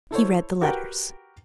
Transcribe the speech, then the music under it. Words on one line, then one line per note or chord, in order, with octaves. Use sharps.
He read the letters.
E4 A4 C5 C#5
F#4 G4 A#4 B4 F#5 G5